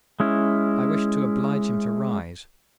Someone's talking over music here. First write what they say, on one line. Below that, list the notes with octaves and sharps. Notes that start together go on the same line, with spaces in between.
I wished to oblige him to rise.
G#3 C#4 E4